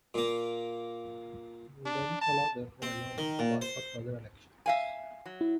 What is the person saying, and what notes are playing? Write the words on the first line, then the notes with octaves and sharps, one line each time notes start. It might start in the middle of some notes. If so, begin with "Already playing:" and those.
Ben Salah therefore announced to boycott further elections.
A#2 A#3
D4
A5
C4
D#3
A#2
C5
E5 F5 G#5
F#3
E4